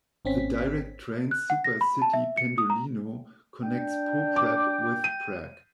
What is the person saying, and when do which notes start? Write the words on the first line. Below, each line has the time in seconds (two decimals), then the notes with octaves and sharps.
The direct trains SuperCity Pendolino connects Poprad with Prague.
0.25 G#1 C4 C#4 B6
1.31 F#6
1.50 F#5
1.64 A#6
1.81 B5
2.02 A5
2.13 E5
2.37 C#7
2.58 D#6
2.70 A#5
3.65 D4 G5
4.36 D6
5.04 D#7